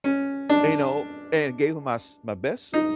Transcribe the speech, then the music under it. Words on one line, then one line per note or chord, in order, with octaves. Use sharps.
you know, and gave 'em my s my best suit
C#4
D4
D#4